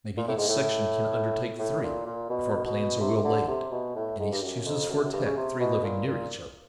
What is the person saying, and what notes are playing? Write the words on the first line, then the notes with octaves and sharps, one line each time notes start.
Maybe each section can undertake three if our plans are well laid, and each chooses for attack three living near each other.
A#2
A2
G#2
A2
A2
A#2
A#2
B2
B2
C3
D3
C3
B2
A2
G#2
G2
F#2
F2
F#2
F#2
G2
C#3
C3
B2
A#2
A#2